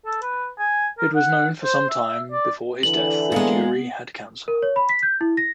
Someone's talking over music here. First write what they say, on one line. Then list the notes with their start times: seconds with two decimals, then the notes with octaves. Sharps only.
It was known for some time before his death that Dury had cancer.
0.06 A4
0.22 B4
0.59 G#5
0.99 A#4
1.16 F#5
1.64 C5
1.90 E5
2.32 D5
2.83 D3 E3 F#7
3.32 G#3 A#3 B3
4.48 A#4
4.62 C#5
4.76 B5
4.89 B6
5.03 G6
5.21 E4
5.37 A#6